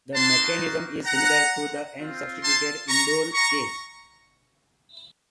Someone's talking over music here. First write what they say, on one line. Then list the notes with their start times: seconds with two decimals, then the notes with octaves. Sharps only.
The mechanism is similar to the N-substituted indole case.
0.14 A#3 D#4 F#4 A5 C6
1.06 F#5 A#5
1.97 C4 F4
2.43 A5 C6
2.88 A#5 C#6
3.34 A#5 C#6